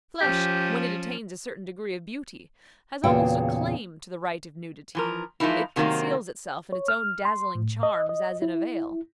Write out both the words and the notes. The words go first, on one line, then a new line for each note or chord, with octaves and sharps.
Flesh, when it attains a certain degree of beauty, has almost a claim to the right of nudity; it conceals itself in its own dazzling charms as in a veil.
F3 C#4 G4
E2 A#2 C#3 F#4 G5
E3 F3 A#4
E3 F3 G#3 A#3 D#4 E4
C3 D#3 F#3 A3 A#3 C4
C#5
F6
C6
A2
D#5
D#5
E4